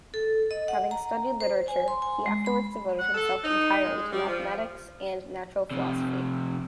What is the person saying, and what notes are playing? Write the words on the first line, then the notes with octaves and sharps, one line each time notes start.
Having studied literature, he afterwards devoted himself entirely to mathematics and natural philosophy.
A4
D#5
F#5
A#5
C5
G#5
C6
G#5
G#3
B5
F#5
A4
D#4
G#3
G3
F3
F2 C3